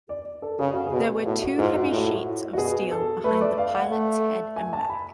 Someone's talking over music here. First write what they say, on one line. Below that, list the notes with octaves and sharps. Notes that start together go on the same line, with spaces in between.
There were two heavy sheets of steel behind the pilot's head and back.
D5
A4
C#3 G#4
F#4
G#4
B2
A2 F#4
F#4
G#2 F4
F#4
F4
A2
F#4
F#4
B2 G#4
A4
A3 B4
D5
F5
F#5
A3
G#5
A5
B5